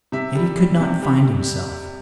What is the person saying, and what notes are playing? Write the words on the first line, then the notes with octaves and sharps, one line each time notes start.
Yet he could not find himself.
C3 E5
G3
G3
C3
G3